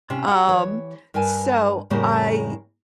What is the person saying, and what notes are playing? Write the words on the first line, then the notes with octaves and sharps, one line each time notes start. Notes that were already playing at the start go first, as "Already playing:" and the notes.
um, so I
C3 C#4
G4 F#5
E3 C#5
G2 A#4 B4 G#5 A5
F2 A2 C#3 G3 A#3 C5